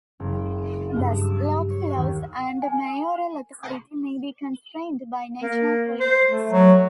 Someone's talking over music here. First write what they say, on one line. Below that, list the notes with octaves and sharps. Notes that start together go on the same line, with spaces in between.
Thus, local laws and mayoral authority may be constrained by national politics.
F#1
G2
E6
C#5
D#2
G#5
A#3
C5
A3
F#3